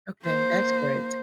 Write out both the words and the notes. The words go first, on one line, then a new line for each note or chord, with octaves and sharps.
Okay, that's great.
A#3 C5